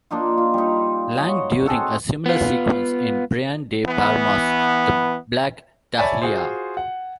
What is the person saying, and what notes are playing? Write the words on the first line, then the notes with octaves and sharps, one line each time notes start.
Lang during a similar sequence in Brian De Palma's "The Black Dahlia".
A#3 D4 D#4 F4
F4
G3 D#4
F#4 C#5 D#5
C4 G#4 A4 F#5
B3 F4
E3 B3
C#5 D5 E5 G#5 A5 B5
F4 F#4 G#4 C5
F#5